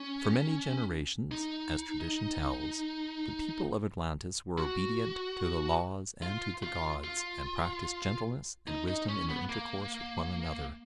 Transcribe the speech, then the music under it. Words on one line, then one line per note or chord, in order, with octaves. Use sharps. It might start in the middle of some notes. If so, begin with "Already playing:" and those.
For many generations, as tradition tells, the people of Atlantis were obedient to the laws and to the gods, and practised gentleness and wisdom in their intercourse with one another.
Already playing: C#4
D#4
F#4
F4
F4
F4
D#4
D#4
C#4
B3
A#3